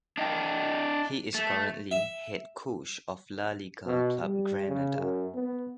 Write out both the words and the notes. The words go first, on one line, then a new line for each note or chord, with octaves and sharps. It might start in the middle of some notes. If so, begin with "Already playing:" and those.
He is currently head coach of La Liga club Granada.
D4 D#5 G5
A3
E5
B2
G3
C#3
F#2
B3